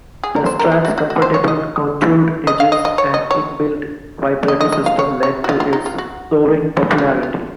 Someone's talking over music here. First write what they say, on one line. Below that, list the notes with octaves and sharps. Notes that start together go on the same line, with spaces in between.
The Strat's comfortable contoured edges and in-built vibrato system led to its soaring popularity.
G#4
A#4
C5
A#4
G#4
F#4
F#4
F#4
C5
C#5
D#5
D#5
F5
D#5
D#5
C#5
D#5
C#5
D#5
D#5
D#5
F5
C#5
C#5
F#4
F4
F4
D#4
F4
F#4
F4
F4